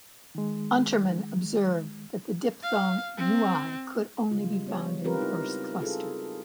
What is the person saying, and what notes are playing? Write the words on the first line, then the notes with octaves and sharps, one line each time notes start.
Untermann observed that the diphthong "ui" could only be found in the first cluster.
D#3 G#3
F5
C4
C#3 G3 G#3 F4
G3
B3 C#5
C4 F4 G4 A#4 B4
D#4 E4
F4 G#4 A4